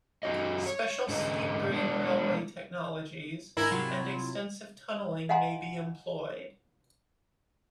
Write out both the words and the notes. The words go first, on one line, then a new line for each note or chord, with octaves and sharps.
Special steep grade railway -technologies and extensive tunneling may be employed.
F#2 C#4 F#4 C#5 D#5
C#5
G#2 D3 C#4 G#4 B4 D#5
G#3 B3 D4
G#2 E4 A#4 G#5
C3 F#3 F4
D#5 F5 F#5 G#5 A#5 C6